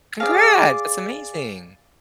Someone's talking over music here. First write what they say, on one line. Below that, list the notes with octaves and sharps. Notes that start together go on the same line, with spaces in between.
Congrats! That's amazing.
G#4 D5 F5